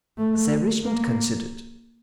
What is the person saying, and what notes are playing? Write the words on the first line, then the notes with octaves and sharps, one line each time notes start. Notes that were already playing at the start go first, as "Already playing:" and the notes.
Sir Richmond considered.
A3
A#3